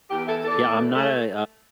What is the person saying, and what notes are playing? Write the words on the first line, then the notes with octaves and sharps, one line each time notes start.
Yeah, I'm not a
E2 G4
E3 E4 A4
E2 A4 D5
A2
A3
A3